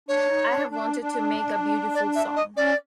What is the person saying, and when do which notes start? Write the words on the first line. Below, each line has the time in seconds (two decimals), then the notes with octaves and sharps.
I've wanted to make a beautiful song.
0.08 D4 C#5
0.28 D#4
0.49 D4
0.71 D4
1.01 D4
1.94 D5
2.15 E5
2.36 D#5
2.57 C#4 D5